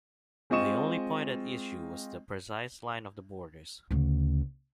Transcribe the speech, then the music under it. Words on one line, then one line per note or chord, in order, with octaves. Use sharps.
The only point at issue was the precise line of the borders.
G#3 C4 F4 D#5 C#6 E7
D2 C#3